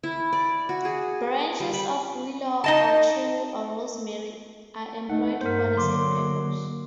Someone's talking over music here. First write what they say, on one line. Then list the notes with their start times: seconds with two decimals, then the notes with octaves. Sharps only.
Branches of willow or cherry or rosemary are employed for the same purpose.
0.03 E4
0.32 D5
0.69 F#4
0.85 G#4
1.60 G3
1.73 B5
2.64 D#4 D#5 A5
5.10 A3 D#4 F#5
5.41 G2 A#3 A#4 C5
5.77 D3 F#3 C6 D6